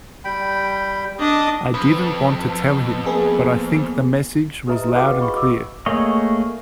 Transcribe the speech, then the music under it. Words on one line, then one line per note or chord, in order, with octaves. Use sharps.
I didn't want to tell him, but I think the message was loud and clear.
G3 G5 B5
D4 D#5
F2 B4
A#3 B3 G#4
G4 A4 B4 D#5 E5 A#5
E4
F#4 G#4 B4 F5 F#5 D6
D#5 G5
B5 C#6
D#5 D6 E6
A3 A#3 G#4 C#5 D#5